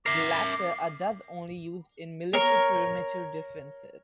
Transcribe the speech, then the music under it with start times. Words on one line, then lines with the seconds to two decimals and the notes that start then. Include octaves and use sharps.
The latter are thus only used in military perimeter defenses.
0.06 A#4 E5 D6 C7
2.33 A#4 C#5